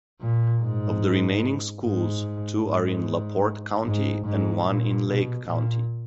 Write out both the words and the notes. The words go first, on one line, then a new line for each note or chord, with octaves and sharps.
Of the remaining schools, two are in LaPorte County and one in Lake County.
A#2
G#2
G#2
G#2
G#2
G#2
A#2
B2
A#2